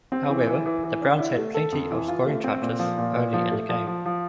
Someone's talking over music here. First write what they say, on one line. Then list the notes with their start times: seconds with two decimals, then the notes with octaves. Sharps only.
However, the Browns had plenty of scoring chances early in the game.
0.12 C4
0.29 E3
0.47 E3
0.66 E3
0.84 E3
1.02 D4
1.19 E4
1.37 A3
1.54 A4
1.72 F2
1.91 E3
2.08 F4
2.27 A3
2.44 C4
2.62 A#2
2.79 F3
2.98 A#2
3.15 A#2
3.33 F3
3.52 A3
3.69 F3
3.87 F3
4.06 F3